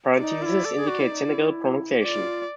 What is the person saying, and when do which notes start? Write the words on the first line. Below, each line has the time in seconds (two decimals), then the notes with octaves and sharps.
Parentheses indicate Senegal pronunciation.
0.19 D#4 D5
0.42 F4
0.46 E4
0.65 A4
0.76 G#4
0.88 F#4
1.00 E4
1.11 D#4
1.27 F4
1.34 E4
2.03 F4 F#4 D5